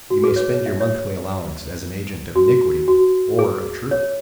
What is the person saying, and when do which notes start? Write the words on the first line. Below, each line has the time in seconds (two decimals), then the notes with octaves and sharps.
You may spend your monthly allowance as an agent of iniquity or of truth.
0.10 F#4
0.24 G#4
0.28 B4
0.36 C#5
0.40 B4
0.53 C#5
0.66 E5
0.80 C#5
2.36 F#4
2.88 F#4
3.39 G#4
3.91 C#5